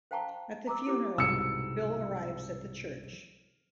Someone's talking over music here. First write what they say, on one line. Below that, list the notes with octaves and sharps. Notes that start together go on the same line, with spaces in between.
At the funeral, Bill arrives at the church.
C5 F5 G5 A5 A#5 C#6
A#5 D6 E6
E4 G4 C5 D6
C2 G#2 B2 E6 C#7